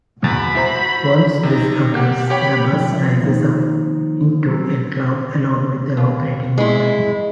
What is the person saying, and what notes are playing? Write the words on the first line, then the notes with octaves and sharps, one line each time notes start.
Once this occurs, the bus rises up into a cloud along with evaporating water.
E2 F#4 B5 A6
E4 C5 A#5
C3 D#4 A#5
A#3 G4 F#5
G4 C#5 G5 B5
F3
F3 B3 E5
D#3 F3 A#3 D#4 C5
F#3 C4 C#4
D#2
G#3 E4